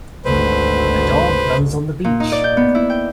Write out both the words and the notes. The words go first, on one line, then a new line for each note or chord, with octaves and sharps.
A dog runs on the beach.
G#1 D2 B4 C5
A#2
D#4
D5
G6
B3
E4
G5